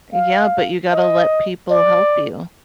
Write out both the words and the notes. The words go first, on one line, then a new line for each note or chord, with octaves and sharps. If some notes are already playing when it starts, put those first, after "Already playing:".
yeah, but you gotta let people help you.
F5
D#5
D5